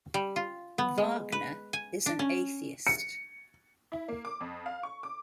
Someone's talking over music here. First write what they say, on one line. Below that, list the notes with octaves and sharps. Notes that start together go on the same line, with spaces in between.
Wagner is an atheist.
G3
F4
B3
G#3
B4
G#5
D4
C#4
C#7
E4
A#3
D6
F2
F5
C#6
D6